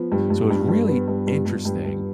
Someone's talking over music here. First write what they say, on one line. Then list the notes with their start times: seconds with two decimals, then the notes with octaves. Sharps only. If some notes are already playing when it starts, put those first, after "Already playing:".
So, it's really interesting,
Already playing: F3 B3
0.12 G2
0.30 G2
0.50 G2
0.69 G2
0.88 B3
1.08 G2
1.27 G2
1.46 G2
1.65 G2
1.85 G2